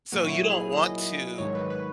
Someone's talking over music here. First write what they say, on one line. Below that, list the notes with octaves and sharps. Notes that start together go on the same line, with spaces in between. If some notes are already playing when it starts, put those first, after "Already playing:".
so, you don't want to,
A#2 F#3 A#3 F#4
E4
G#4
G#4
D#5
G#2 D#3 F#3 C#5
B4
B4